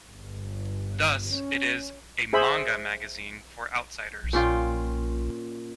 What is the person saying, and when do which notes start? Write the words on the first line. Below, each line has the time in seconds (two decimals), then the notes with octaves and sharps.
Thus, it is "A Manga magazine for outsiders".
0.12 G1
1.33 C#4
2.33 G#4 C5 E5 B5
4.33 A#2 C#4 F4 G5